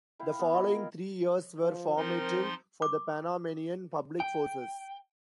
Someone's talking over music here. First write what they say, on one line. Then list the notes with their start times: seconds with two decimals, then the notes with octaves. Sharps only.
The following three years were formative for the Panamanian Public Forces.
0.19 E4 F5 G5
0.39 B3
0.52 E4 F4 D#5 F5
0.73 A#3 A#4
1.62 F3
1.97 F3 C4 D#4 A#4 C6
2.82 D6
4.20 G5